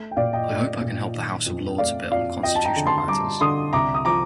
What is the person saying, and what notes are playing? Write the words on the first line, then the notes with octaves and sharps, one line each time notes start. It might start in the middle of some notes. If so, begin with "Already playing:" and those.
I hope I can help the House of Lords a bit on constitutional matters.
Already playing: A3
G5
A#2 D5 F5
D#5 G5
A3
A#2
D#3
F2
A3 D5 F5
F2 D5 F5
F2 D#5 G5
A5
G5 A#5
D3
A5 C6
C6
G3 A#5 D6
D3 C6 D#6
C2 A#5 D6
D#6
F3 A#5 D6